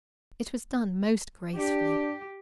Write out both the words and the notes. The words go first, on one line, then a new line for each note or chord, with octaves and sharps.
It was done most gracefully.
D4 G4